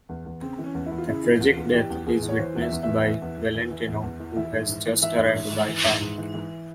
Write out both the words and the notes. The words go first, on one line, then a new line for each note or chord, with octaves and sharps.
The tragic death is witnessed by Valentinov who has just arrived by car.
E2
E2
C#3 C4
E3
C#4
E2
E2 E4
F4
C#3 E4
E3
E2 F4
E2
F4
E3 G4
E2
E2 G#4
E3
C#5
E3 C5
E2
E5
E2
E5
E3
E3
E2
E2
E3
E3
E2
E2
E3
E3 E5
G#2
G#2
E3
E3 E5
G#2
G#2
E3
E3
G#2
G#2
E3
E3